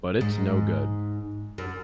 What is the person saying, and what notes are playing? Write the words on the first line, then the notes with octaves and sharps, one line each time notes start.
But it's no good.
G#2
F#2